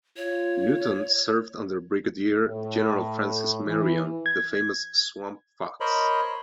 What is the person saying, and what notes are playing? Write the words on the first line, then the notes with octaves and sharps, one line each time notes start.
Newton served under Brigadier General Francis Marion, the famous "Swamp Fox".
F4 C#5
A2
E3
G#6
A#4 C5 C#5 D#5 B5